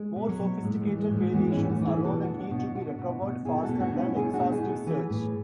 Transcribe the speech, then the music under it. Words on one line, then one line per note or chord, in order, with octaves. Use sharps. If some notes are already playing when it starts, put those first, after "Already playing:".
More sophisticated variations allow the key to be recovered faster than exhaustive search.
Already playing: G#3
B2
F#3
B2
A2 G#3
G#3
E3
G#3
A2
G#3
E3 G#3 B3
C#4 E4
A2
D4 F#4
E3
E4 G#4
B2 F#4 A4
D4 F#4
B2
D4 F#4
B2
D4 F#4
B2 D4 F#4
B2
B2
B2 E4 G#4
F#4 A4
B2
D4 F#4
B2
C#4 E4
B2 E4 G#4
D4 F#4
B2
E4 G#4
B2
F#4 A4
E3 G#4 B4
A2 G#4 B4